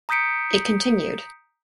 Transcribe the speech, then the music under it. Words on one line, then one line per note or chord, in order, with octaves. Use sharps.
It continued.
A#5 D#6 G6 B6 C#7 D7